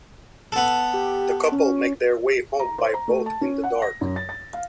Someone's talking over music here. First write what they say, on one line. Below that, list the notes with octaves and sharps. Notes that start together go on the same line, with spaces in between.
The couple make their way home by boat in the dark.
B3 A4
G4
C#4
A#5
C5
A#5
A3
A5
C#4
F#5
A#6
F#2
A6
A6
F5